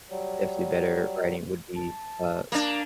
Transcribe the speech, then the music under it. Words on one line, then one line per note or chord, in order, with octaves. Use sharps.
definitely better writing would be, uh,
F#3 G3
A5
A#3 D4